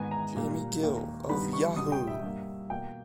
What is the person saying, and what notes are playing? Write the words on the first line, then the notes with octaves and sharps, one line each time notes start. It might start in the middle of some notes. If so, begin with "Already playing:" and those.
Jaime Gill of Yahoo!
Already playing: G#2 D#3 G#3 B3 G#5
A#5
A#2 G3 A#3
D#2 D#3 A#3
G2 D#3 G3 B3 B5
C#6
C#2 B2 G3 D#6
G5
E5
G2 G3 A#3
B2 A#3 G5